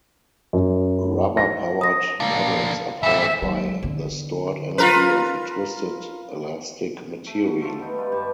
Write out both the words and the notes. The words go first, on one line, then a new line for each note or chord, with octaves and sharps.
Rubber-powered models are powered by the stored energy of a twisted elastic material.
F#2
A#6
D#6 A#6
A#3 D4 F5
E3 G3 E5
F#3 G#3
D3 B3
F4 A#4 B4
A3
F#4
A3 F4 A4
B3 D#4 A4
G3 G#3 F4 B4
G2 G4 A5 C#6